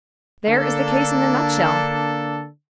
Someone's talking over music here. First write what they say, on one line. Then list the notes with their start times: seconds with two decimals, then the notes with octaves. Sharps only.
There is the case in a nutshell.
0.48 D3 A#3 D4 A4